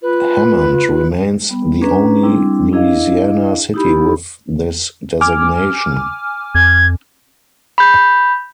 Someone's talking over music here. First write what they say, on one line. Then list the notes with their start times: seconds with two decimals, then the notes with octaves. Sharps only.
Hammond remains the only Louisiana city with this designation.
0.02 F4 B4
1.49 G3 B3
1.82 C#4 D4 G#4 B4 A#5
2.23 G3 C4 D4 E4 G#4
2.72 D4 E4 G#4 D#5 F5
3.74 D#4 E4 G4 B5
5.21 G#5 D6 F6
6.55 F2 G#6
7.78 B5 G6